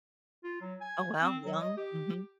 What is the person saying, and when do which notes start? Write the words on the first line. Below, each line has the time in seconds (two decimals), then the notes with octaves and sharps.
Oh, wow. Young. Mhm.
0.44 F4
0.61 F#3
0.81 G#5
1.22 C4
1.45 F#3
1.61 D#5
1.77 G4